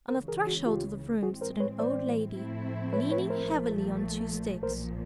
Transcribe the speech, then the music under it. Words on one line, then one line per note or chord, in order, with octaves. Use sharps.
On the threshold of the room stood an old lady, leaning heavily on two sticks.
C#2 C#3 E3 A#4 C5
G#4 A#4
F#4 G#4
F4 G4
A2 E3 G#3 C4 F#4 G#4
A#4 C5
B4 C#5
C5 D5
A2 F3 A3 C4 E4
B4 C#5
B4 C#5
A#4 C5
A#1 A#2 F3 A3
B1 A#2 F3 A#4 C5